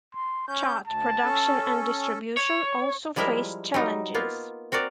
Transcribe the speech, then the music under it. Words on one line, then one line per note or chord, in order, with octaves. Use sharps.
Chart production and distribution also faced challenges.
C6
C#4 G6
D2 A5
C#4 A4
C#5
F3 G3 G#3 E4 A#4 E5
F#3 G3 D#4
A#3 B3 F4
C4 F#4 A#4 D5